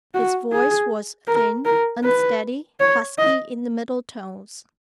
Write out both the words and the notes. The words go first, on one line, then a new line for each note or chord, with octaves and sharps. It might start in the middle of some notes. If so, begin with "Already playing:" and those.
His voice was thin, unsteady, husky in the middle tones.
F#4
G#4
A#4
A#4
B4
C#5
D#5